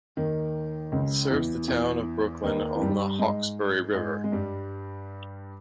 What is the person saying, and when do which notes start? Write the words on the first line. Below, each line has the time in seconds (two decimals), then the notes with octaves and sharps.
It serves the town of Brooklyn on the Hawkesbury River.
0.17 D#2 D#3
0.92 C#2 C#3
1.30 E2 E3
1.68 E2 E3
2.44 D#2 D#3
2.75 E3
2.81 G2 G3
3.19 G#2 G#3
3.95 G#2 G#3
4.24 G#3
4.32 G2 G3